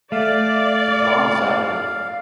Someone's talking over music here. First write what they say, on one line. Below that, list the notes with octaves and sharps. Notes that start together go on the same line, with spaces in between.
The plant is edible.
A3 D5 F5